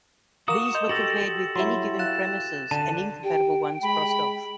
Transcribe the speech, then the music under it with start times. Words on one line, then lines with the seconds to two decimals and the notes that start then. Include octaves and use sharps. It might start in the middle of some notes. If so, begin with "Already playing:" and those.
These were compared with any given premises, and incompatible ones crossed off.
0.48 F#4 A#4 F5 A#5 D6 D#6 E7
0.75 D#5 C6 G6 F7
0.89 F#4 G4 A4 A6 A#6 F#7
1.55 F#3 E4 E5 C6
1.99 F5 F#6 A6 E7
2.71 D3 A5 D#7
3.24 G4 G5
3.83 G#3 B5